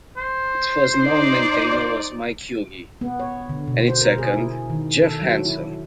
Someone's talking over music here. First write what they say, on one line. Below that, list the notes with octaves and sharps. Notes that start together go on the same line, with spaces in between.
Its first known maintainer was Mike Hughey, and its second, Jeff Hansen.
C5
D#4 D5
B3
C#5
D3
B2
C5
A#4
G#4
E4
D#3
A4
F#3
E4